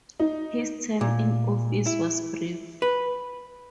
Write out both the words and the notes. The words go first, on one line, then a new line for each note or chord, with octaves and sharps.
His term in office was brief.
D#4
A#2
E4
B4